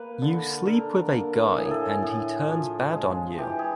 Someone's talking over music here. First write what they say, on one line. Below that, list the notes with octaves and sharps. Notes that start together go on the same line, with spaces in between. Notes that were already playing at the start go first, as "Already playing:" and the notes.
You sleep with a guy and he turns bad on you.
Already playing: A#3 B4
D3
D3 A#4
A#3
A2 G#4
A4
G#4
A2
F3
G#3
E3 G4
G#4